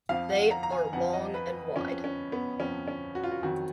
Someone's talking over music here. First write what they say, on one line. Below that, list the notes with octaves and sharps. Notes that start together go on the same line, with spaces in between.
They are long and wide.
F2 F3 F5
F#5
A#5
A#5
G#5
F2 F3 F#5
D#5
B4
F2 F3 C#4
C#4
B3
F2 F3 C#4
C#4
F#4
F4
F#4
F2 D#3 F#3 F#4